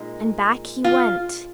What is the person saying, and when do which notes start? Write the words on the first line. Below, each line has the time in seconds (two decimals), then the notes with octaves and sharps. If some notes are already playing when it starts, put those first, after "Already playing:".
And back he went.
Already playing: A#2 G#3 D#4
0.84 F4